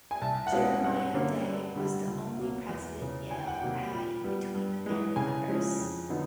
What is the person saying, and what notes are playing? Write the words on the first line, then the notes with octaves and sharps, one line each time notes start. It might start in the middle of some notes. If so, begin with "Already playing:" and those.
Jeremiah Day was the only president Yale had in between the family members.
G#5
C2 A5
F#5
B2 G#3 C#4 E4 F5
G2 F#5
D3 F#3 A#3 C#4
G2
D3 G3
C#2
B2 F#3 A#3
E2
C#3 E3
D2 G#5
G5
F#5
G5
C3 D#3 F#3 A#3
A#2
G3 B3
G2
E3 G#3
C#3 G#5
F3 G#3 C#4 E4
F2
D3 F#3 B3 D#4